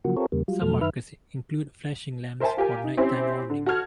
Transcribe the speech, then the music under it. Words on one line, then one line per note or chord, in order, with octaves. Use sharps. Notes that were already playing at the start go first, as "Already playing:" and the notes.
Some markers include flashing lamps for night-time warning.
C#3 F3 F#3 A#3 F#4
C4 F4 G4 A4 A#4 C#5
E2 C#3 G3 A#3
F#3 G3 F4
F2 B2 F#3 A3 A4 F6
F#2 D#3 B4 E5 F6
A#4 C5 E5 G#5 A5
F4 G4 A#4 G#5
D#4
C4 C#4 E4 G4 C5
D3
F#4 A4 F6 G#6